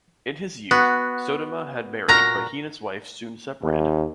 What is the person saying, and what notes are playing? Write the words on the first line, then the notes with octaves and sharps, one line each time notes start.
In his youth, Sodoma had married, but he and his wife soon separated.
B3 F#4
A#2 F#4 A#5 F6 A#6
D#2